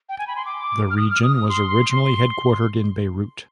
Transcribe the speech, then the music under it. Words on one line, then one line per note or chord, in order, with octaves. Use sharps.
The region was originally headquartered in Beirut.
G5
G#5
B5
C6
D6
F6
D#6
F6
D#6
D#6
C6